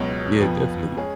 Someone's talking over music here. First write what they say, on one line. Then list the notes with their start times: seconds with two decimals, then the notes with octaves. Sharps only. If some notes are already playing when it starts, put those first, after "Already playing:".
Yeah. Definitely.
Already playing: C#2 B2 F#3
0.40 F2 F3 B3
0.97 G#3 C#4 G#4